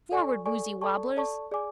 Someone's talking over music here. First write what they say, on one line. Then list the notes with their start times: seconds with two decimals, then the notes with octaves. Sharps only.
Forward, woozy wobblers!
0.12 A4 D5 G#5 C#6
0.46 A4 D5 G#5 C#6
0.81 A4 D5 A5 C#6
1.17 A4 D5 A5 C#6
1.51 G#4 D5 G#5 D6